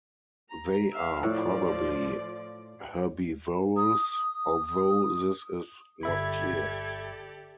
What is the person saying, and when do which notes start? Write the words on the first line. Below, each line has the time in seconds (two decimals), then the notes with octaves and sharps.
They are probably herbivorous, although this is not clear.
0.50 A#5
0.93 E5 F5
1.23 A2 F3 D5
3.77 D#6
4.12 D#6
6.03 G1 G4 A4 D5 E5 B5 G#6